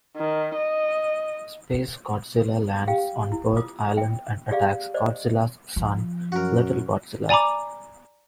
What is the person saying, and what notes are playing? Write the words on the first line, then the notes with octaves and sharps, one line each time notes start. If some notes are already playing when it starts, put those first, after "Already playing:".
SpaceGodzilla lands on Birth Island and attacks Godzilla's son, Little Godzilla.
D#3
D#5
G4 F5 G5
E4
F4 D6 D#6
E5 G5
G4 G#4 D5 E5 F5
C5 D5 D#5
F3
F#2 F#4 A#4
D5 G#5 A#5 B5 D6